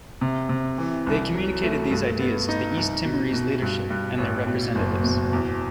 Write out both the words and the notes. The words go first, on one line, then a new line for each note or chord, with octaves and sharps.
They communicated these ideas to the East Timorese leadership and their representatives.
C3
C3
E3
C2
F#3
A3
G2
B3
D#4
C2
B2
B2
G2
G2
A1
B2
F#1
B2
E2